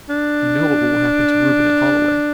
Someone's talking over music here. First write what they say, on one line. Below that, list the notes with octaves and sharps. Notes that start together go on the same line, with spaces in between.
You know what will happen to Reuben at Holloway.
D4